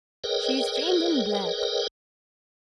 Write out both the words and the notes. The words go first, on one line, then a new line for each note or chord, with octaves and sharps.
'She's framed in black.
G#4 A#4 B4 C#5 D#5 G5